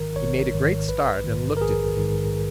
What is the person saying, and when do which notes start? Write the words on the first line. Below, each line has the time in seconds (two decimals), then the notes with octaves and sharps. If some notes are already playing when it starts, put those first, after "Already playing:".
He made a great start and looked at me.
Already playing: G#1 G#2 D#3 A#4
0.16 G#1 C#5
0.53 G#2 D#3
0.88 A#1 B4
1.24 G#2 D#3
1.57 A#4
1.61 A#1 G#4
1.97 G#2 D#3